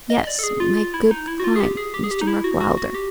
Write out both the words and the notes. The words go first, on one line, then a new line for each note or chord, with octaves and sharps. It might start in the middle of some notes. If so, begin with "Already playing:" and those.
'Yes; my good client, Mr. Mark Wylder.
D#5
D5
A4
G#4
F4
F4
E4
D#4
E4
F#4
F4
G#4
G4
G#4
G4
G#4
G4
D#4
E4
F#4
F#4
F#4
G4